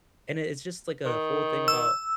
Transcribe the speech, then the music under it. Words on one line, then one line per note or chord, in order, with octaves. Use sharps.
and it's just, like, a whole thing about
D#3
E6